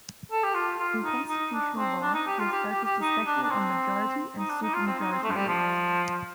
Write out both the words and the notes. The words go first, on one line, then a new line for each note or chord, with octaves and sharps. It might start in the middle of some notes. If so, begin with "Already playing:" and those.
In constitutional law, he has focused especially on majority and supermajority rules.
A4
G4
F4
F4
D#4
D#4
D4
C4
D4
D#4
G4
F4
G4
G4
G4
D#4
D4
D4
C4
D#4
D4
D#4
F4
C4
D#4
C4
A3
F3
G3
F3